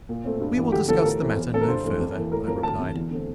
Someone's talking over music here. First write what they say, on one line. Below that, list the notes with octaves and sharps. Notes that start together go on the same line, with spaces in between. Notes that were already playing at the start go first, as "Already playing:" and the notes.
"We will discuss the matter no further," I replied.
A#2
A3 C4
G2
E3 A#3
D2 G4
D3 F3 A4
A2 A#4
E3 A3 C4
E2
D3 A3 C4 A4
A#4
G2 C5
E3 A3 C4
F2
E3 A#3
A2 A#4
F3 C4 A#4
D2 A5
C3 E3
E2
D3 A3 C4